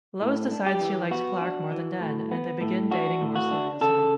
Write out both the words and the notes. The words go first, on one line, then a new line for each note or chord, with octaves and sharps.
Lois decides she likes Clark more than Dan, and they begin dating more seriously.
A2
D4
G4
E3
B3 F#4
D4
E3
A2
B3
A2
D4 F#4
A2
F#4
D4
C#3 A4